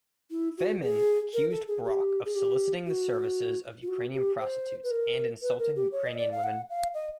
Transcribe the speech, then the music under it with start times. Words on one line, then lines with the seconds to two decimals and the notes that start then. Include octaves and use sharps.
Femen accused Brok of soliciting the services of Ukrainian prostitutes and insulting Ukrainian women.
0.31 E4
0.58 F#4
0.82 G#4
1.33 A#4
1.51 A4
1.68 G#4
1.85 G4
2.25 G#4
2.35 G4
2.86 F#4
3.82 F4
3.88 F#4
4.14 G4
4.40 C5
4.83 B4
4.91 A#4
5.42 B4
5.59 A#4
5.76 G4
5.92 C#5
6.06 D#5
6.18 D5
6.32 F5
6.44 F#5
6.70 F5
6.94 D#5